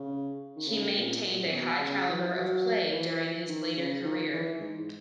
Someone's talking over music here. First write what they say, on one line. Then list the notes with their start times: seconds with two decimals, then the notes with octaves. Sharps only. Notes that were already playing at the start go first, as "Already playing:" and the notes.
He maintained a high caliber of play during his later career.
Already playing: C#3
0.56 D#3
0.67 C#3
0.96 A#2
1.24 A#2
1.43 C#3
1.51 B2
1.80 C#3
2.08 E3
2.36 F#3
2.92 E3
3.49 D#3
3.77 C#3
4.05 D#3
4.33 E3
4.60 G#2